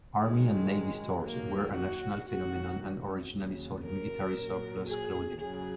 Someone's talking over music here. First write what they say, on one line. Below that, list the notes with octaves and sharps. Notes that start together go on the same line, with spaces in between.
"Army and Navy Stores" were a national phenomenon and originally sold military-surplus clothing.
G#2 D#3 F#3 G#3
D#2 D#3 F#3 A#3
F#4
G#2 D#3 F#3 F#4
D#2 C#3 F#3
A#4
A#2 F#3
G#4
F#2 C#3 F#3 G#4